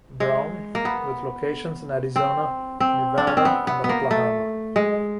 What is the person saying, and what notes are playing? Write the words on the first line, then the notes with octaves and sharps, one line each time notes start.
Brown, with locations in Arizona, Nevada and Oklahoma.
G#3
A#3
B3
C4
C4
D4
C#4
C4
B3
B3
B3
A#3
A3
G#3